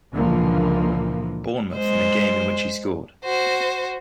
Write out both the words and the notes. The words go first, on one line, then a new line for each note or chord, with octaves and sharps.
Bournemouth in a game in which he scored.
C#2 A#2 D3 E3 F3 A#3
G#3 C5
F#4 C5